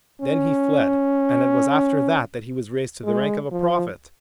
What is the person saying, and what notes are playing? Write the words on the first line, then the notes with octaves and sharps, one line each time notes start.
Then He fled, and it was after that that He was raised to the rank of a Prophet!
C#4
G#3
F3